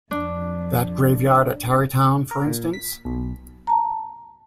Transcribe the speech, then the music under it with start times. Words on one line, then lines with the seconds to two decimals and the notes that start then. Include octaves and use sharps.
That graveyard at Tarrytown, for instance.
0.11 F2 D4
2.31 A#4
2.47 A#2
2.73 B6
3.05 B1
3.67 A5 A#5